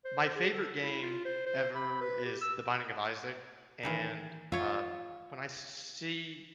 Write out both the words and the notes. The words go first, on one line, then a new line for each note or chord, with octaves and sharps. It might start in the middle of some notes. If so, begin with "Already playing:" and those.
my favorite game ever is The Binding of Isaac, and, um, when I s see
C5
G#4
A4
E4
F4
C5
C5
B5
B4
G4
E6
D#3 E3 D#4
F4 C#5 E5